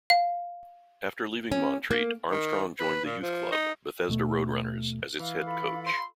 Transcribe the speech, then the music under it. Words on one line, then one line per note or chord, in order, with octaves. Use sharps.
After leaving Montreat, Armstrong joined the youth club, Bethesda Roadrunners, as its head coach.
F5
C#4
A#3
D#3
B4
A#2
F3
D#4
D#2 B2 A3
E3 F5
F4 A4 B5
C6